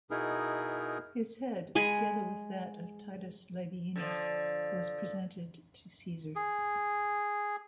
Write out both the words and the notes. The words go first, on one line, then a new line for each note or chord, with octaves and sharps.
His head, together with that of Titus Labienus, was presented to Caesar.
B2 B3 D#4 E4 G#4 A#4
G#3 G#4 G#5 B5
D3 F3
G#4